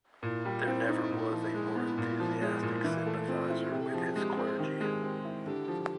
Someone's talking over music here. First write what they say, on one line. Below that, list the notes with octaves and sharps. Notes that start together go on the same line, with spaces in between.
There never was a more enthusiastic sympathizer with his clergy.
A#2 E4 F4
G3 F4 G4
C4 E4
D#4
A#2
F3
G#3
B3
A#2
F3
G#3 E4 F4
A#2
E3
A3
C4 F4
E4
C3 G#4
A4
G#4
F3
G#3 G4 G#4
C4 G#4 A4
D#3 G4 G#4
G#3
C4
E4
D3 G4
F3